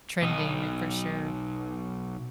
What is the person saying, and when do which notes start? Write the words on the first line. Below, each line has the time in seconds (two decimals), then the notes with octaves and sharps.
trending, uh, for sure.
0.22 B1 D#4